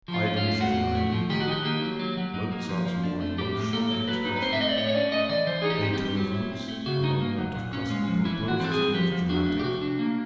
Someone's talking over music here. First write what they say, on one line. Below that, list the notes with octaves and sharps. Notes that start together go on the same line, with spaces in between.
Haydn's is naive; Mozart's more emotional in expression; Beethoven's, among that of classical composers, the most dramatic.
F3
F4
C#4
F4
A3
A2 F#4
A2
A3
F3
D#3 G4
F#4
D#4 G4
A#3 G4
F#3
F#3
F#3
D#4
A#3
F3
F3
D4
A3
A2 G4
A2
A#3 A4
F#3
F#3 B4
D#4
B4
C4 C5
E5
A3 D#5
D5
A2 C#5
C#5
C#4 D5
A3 D#5
E3 D5
E3 C5
G#4
D#4
G4
C4
G4
G3
F#3
E4
C4
A3
C#3 F#4
D#4
A#3
F#3
A#2
C#4
G#3
F3
E3 E4
E3
F#4
C4 A4
G#4
G3
F3 G4
F3
D4 F#4
A3
G4
C3 F#4
D4
A#3